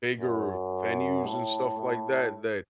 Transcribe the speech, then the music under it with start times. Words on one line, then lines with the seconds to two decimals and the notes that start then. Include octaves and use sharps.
bigger venues and stuff like that that
0.18 F#2
1.24 A2
1.78 A2